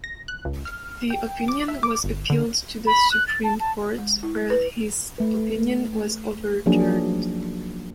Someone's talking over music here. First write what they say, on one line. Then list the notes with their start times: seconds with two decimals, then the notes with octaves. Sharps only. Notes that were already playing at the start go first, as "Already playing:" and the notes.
The opinion was appealed to the supreme court, where his opinion was overturned.
0.04 A#6
0.28 F#6
0.45 C#2
0.65 F6
1.10 G5
1.48 D6
1.68 E5
1.83 D6
2.04 G1
2.30 D3
2.87 B5
3.12 F#6
3.28 A6
3.44 A5
3.60 A5
3.99 G#3
4.23 E4
4.50 B4
5.18 A3 B4
6.66 F3 F#3 A#3 D4 D#4 G#4